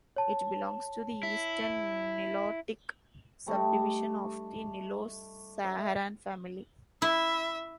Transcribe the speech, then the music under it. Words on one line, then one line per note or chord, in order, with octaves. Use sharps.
It belongs to the Eastern Nilotic subdivision of the Nilo-Saharan family.
C#5 A5
E4
G3 A3 D4 D#5
E5
E4 E5